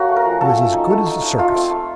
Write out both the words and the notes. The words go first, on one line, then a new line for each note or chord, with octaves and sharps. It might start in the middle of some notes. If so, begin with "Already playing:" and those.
It was as good as a circus!
Already playing: A#3 C#4 F#4
A3
A#4
F3
F#3 A4
A3
D#4
A3
D#4
D#4
A3 F4
C4
A3